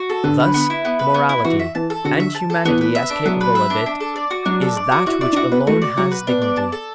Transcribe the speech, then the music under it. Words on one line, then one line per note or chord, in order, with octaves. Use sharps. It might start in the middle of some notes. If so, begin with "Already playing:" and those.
Thus morality, and humanity as capable of it, is that which alone has dignity.
Already playing: F#4
A4
D3 B3
B4
B3
E4
B3
B4
B3
E4
E3 F#4
E5
E3 A5
A4
D3 F#4
E5
A5
A4
E3 B3
B4
E5
D4
F#3 B3
B4
E5
D4
D4
A4
D5
F#4
F#3 D4
A4
D5
F#4
E4 F#4
E4 D5
D4
E4 F#4
B3 B4
A3 F#4
D5
F#3 F#4
B4
B3 D4
D5
A5
A4